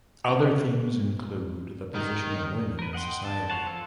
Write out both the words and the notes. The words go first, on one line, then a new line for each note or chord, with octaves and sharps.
Other themes include the position of women in society.
D#3
A#4 B4
D#5 F#5 G5 C6
A5
F3 C5 C#5 F#5 A5
F4 A4